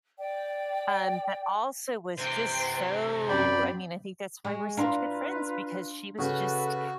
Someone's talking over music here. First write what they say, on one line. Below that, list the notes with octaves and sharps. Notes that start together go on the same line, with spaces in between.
um, but also was just so I mean, I think that's why we're such good friends because she was just
D5 G5
C3 E3 C5 G5
F#2 C4 D5 G5 B5
G#3 C#6
D4 E4 F4 B4 F5 A#5 C6
C#3 F#4 A4 B4